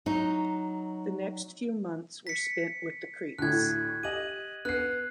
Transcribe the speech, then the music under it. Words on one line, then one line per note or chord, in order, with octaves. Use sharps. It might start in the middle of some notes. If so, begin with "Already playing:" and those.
The next few months were spent with the Creeks.
F#3 D#4
B6 C#7
D2 A2 F#6 G#6
G4 D#5 D#7 F#7
B3 F#6 C7